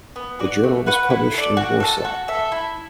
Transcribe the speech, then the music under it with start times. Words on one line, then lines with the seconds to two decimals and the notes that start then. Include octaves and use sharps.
The journal was published in Warsaw.
0.16 B3
0.39 F#4 D5
0.63 A3
0.86 F#4 B4 F#5
1.10 E4
1.34 A4 D5
1.57 F#4
1.80 A4 F#5 A5
2.05 F#4
2.28 A4 E5
2.52 E4